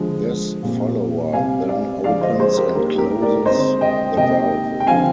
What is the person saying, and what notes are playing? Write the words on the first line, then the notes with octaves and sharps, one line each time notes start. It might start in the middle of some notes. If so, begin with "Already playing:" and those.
This follower then opens and closes the valve.
Already playing: D3 F3 G#3
A#2 G3 C4
C3 G3 C4 F5 G#5
D5 F5
D3 F3 G#3 D5 F5
C5 D#5
G#4 C5
G4 A#4
D#3 G3 A#3 G4 A#4
G4 A#4
A#4 D5
D3 G#3 C4 C5 D#5
D#5 G5
C3 D#3 A#3 D#5 G5
G5
D3 F3 C4 F5 G#5